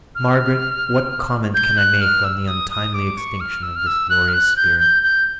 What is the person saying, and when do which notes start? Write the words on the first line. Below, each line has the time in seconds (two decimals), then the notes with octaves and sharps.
Margaret, what comment can I make on the untimely extinction of this glorious spirit?
0.15 F6
1.54 G6
1.77 F#6
2.01 F6
2.24 E6
2.48 D#6
2.70 D#6
2.94 D6
3.17 C#6
3.40 F6
3.63 E6
3.76 F6
3.87 E6
4.10 F#6
4.28 F6
4.33 F#6
4.56 G6
4.79 G6
5.03 G6